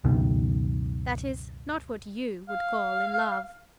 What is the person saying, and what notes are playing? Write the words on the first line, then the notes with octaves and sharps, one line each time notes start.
That is, not what YOU would call in love.
C#2 F#2 B2 D#3
F5